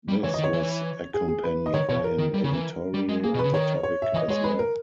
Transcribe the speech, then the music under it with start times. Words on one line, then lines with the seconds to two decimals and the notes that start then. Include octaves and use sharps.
This was accompanied by an editorial on the topic as well.
0.08 G3
0.23 E3 C#5
0.34 D#5
0.39 D#3
0.44 C#5
0.53 E3
1.14 G#4
1.28 G#4
1.44 B4
1.66 D#5
1.74 D#3 C#5
1.89 B2 C#5
2.04 A#4
2.18 D#3
2.34 G3
2.44 C#3
2.53 E3
2.94 G3
3.09 G#3
3.24 A#3 G#4
3.34 B2
3.39 C#3 B4
3.54 D#3 C#5
3.83 C#5
4.02 E5
4.14 E3 D#5
4.29 G#3 C#5
4.44 B4
4.59 A#4